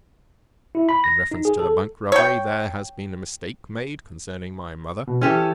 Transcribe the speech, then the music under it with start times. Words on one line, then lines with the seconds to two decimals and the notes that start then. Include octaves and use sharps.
In reference to the Bank robbery, there has been a mistake made, concerning my mother.
0.75 E4
0.89 B5
1.04 A#6
1.31 D#4
1.45 G#4
1.60 A4
2.12 C#5 G5
5.08 B2
5.21 E3 C#4 G4 A4